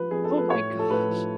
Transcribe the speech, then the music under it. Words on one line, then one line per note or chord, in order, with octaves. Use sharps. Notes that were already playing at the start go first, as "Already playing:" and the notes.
oh my gosh.
Already playing: F3 B4
F2 G#4
A4
F3
B4
A2 C#5
F3
A4
A2 B4
F3